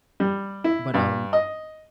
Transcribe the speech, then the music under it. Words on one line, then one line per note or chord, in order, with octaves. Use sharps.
but, um
G3
E4
G2
D#5